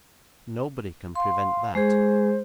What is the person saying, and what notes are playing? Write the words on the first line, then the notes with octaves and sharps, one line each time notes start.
Nobody can prevent that.'
F5 C6
G#3 G#4 C5